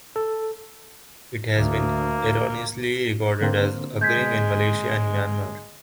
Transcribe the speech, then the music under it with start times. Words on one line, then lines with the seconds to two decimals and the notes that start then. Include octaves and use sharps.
It has been erroneously recorded as occurring in Malaysia and Myanmar.
0.16 A4
1.56 D2 A#3
3.41 D3 A#3 C4
4.01 G#3 G6 G#6 B6